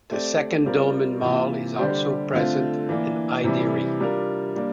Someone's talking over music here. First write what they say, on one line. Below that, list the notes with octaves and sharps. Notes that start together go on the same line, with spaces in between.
The second Dolmen Mall is also present in Hyderi.
A3 C4 G4 D5
G3 C4 F4 A#4 D5
C3 E3 A#3 F4
D3 G3 D4 G4 C5
D3 A3 C4 F4
E3 A#3 D4
C3 E3 G3
G3 D4 F4 A#4
G3 A#3 D4